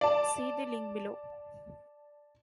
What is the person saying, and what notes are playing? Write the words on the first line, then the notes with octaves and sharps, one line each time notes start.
See the link below.
D5 A5